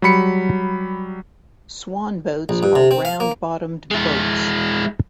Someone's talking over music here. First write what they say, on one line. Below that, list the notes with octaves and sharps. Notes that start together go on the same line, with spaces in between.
Swan boats are round-bottomed boats.
F#3 G3 B5 C#7
A#1
G2
C3
C4
F5
A#3
G#3 E4